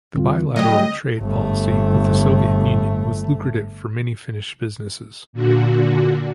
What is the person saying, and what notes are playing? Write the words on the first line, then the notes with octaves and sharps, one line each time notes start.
The bilateral trade policy with the Soviet Union was lucrative for many Finnish businesses.
E2 D3 G3 C4 F4
F#3 G3 A3 D#5
G1 A3
A#2 D3 F#4